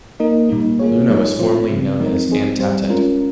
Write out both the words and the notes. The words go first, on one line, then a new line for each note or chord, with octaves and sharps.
Luna was formerly known as Antatet.
A#3 D#4 A#4 D#5
A#2 G3 A#3 D#4
A#3 F4 G#4 C#5
F3 G#3 D#4 G#4 C#5
A#2 F3 C4 F4 C5
C#3 G#3 C4
F3 G#3 C4 D#4 A#4
F3 C4 D#4 G#4 C5
G3 C4 G4 C5
G#3 C#4 F4 A#4